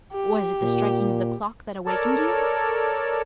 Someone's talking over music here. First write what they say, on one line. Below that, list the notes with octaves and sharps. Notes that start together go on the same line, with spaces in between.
"Was it the striking of the clock that awakened you?"
G4
A#2
A4 A#4 C#5 D5 A5